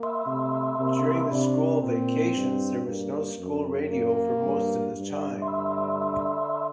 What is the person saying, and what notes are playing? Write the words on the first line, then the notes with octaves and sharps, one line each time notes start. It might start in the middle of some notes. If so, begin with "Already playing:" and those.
During the school vacations there was no school radio for most of the time.
Already playing: A#3
C3 A3
C3 A#3
C3 D4
A#2 C4
G2
G2 A#3
F#2
A#3
G2
G2
D3